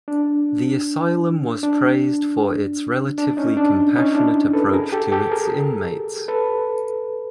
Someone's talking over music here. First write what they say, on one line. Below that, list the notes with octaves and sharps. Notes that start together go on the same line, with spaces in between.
The asylum was praised for its relatively compassionate approach to its inmates.
D4
D4
D4
C#4 D#4
D4
C#4 D#4
D4 E4
A4 B4
G#4 A#4
G4 A4
G4 A4
G#4 A#4
A4 B4